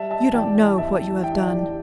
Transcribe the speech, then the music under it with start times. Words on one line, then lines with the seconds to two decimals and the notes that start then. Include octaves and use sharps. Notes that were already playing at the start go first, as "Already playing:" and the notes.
You don't know what you have done.
Already playing: G3 E5 A5
0.11 E5 A5
0.33 E2 D5 G5
0.78 E2 E5 A5
1.23 E3 G5
1.32 E5
1.42 D5 G5